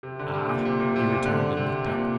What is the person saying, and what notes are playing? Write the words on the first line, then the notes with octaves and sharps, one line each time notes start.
"Ah!" he returned, and looked up.
C3
D3
C3
A#2
C3
A#2
C3
A#2
D3
C3
A#2